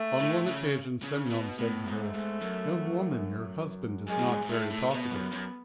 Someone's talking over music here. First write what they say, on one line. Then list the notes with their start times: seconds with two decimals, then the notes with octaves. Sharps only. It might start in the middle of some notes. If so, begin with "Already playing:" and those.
On one occasion Semyon said to her: "Young woman, your husband is not very talkative."
Already playing: A3
0.20 A2
0.48 C#3
1.03 C#3
1.31 B2
1.58 A2 B3
1.87 G#2
2.00 A3
2.14 G#2
2.41 F#2
4.08 F#2 G#3
4.18 A2
4.29 G#2
4.42 G#2
4.49 A2 A3
4.70 A2
4.90 B2 B3
5.11 F#2
5.32 F#2